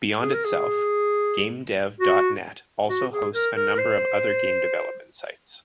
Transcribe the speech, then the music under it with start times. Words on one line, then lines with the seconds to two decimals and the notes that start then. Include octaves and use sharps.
Beyond itself, GameDev dot net also hosts a number of other game development sites.
0.21 G#4
0.33 A#4
0.45 G#4
2.00 F#4
2.89 F#4
3.11 G#4
3.34 A#4
3.56 A#4
3.74 A#4
3.78 C5